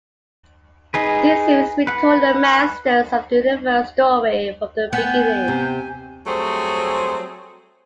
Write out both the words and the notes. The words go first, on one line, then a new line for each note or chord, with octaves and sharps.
This series retold the Masters of the Universe story from the beginning.
D#4 G#4 B4
B4 F#5
B3 G5 G#5
C3
F#3 G3 A3 C4 G#4 C5